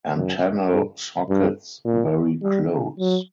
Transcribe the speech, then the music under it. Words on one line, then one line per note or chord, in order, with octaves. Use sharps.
Antennal sockets very close.
F#2
G2
G2
A#2
G3
F#3